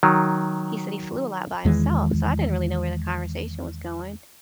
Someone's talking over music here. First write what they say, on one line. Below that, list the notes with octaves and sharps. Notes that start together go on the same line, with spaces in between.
he said he flew a lot by himself, so I didn't really know where the conversation was going
D#3 F#3
E2 D#3 E3 G#3